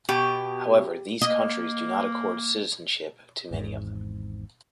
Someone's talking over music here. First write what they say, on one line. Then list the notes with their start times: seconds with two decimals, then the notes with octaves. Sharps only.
However these countries do not accord citizenship to many of them.
0.09 B2 G4
1.21 A#3 D#5
3.51 G#1 E2 G#2